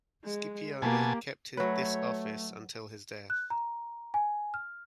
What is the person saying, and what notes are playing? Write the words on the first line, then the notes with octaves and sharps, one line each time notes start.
Scipione kept this office until his death.
G#3
B2 A#3 G4 G#5 A5
F#3 A3 B4 C#5
F#6
A#5
G#5
F6